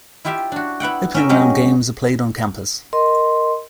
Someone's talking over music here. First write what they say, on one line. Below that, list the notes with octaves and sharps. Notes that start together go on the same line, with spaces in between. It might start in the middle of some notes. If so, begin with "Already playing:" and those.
Opening round games are played on campus.
E4 F4 G4 E5 F5 G5
D4 F#4
B3 E4 F#5 G5
C#4 A#4 E5 G5
F#3 G#3 C#4 G4 F5
A#4 D#5 C6